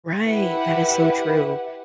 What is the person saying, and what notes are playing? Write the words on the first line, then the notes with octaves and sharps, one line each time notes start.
Right, that is so true.
E4 G4 B4 F#5